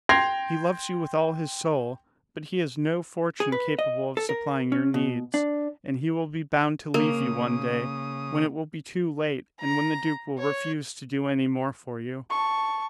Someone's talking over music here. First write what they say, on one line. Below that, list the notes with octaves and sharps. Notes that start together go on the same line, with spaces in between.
He loves you with all his soul, but he has no fortune capable of supplying your needs, and he will be bound to leave you one day, when it will be too late and when the duke will refuse to do any more for you.
G5 C6 G#6 A#6 C7 F7
G#4
B4
D#5
A4
A#4
C#4
B2
D4
C#3 A#3 D#6
A#5
C#5
A5 C#6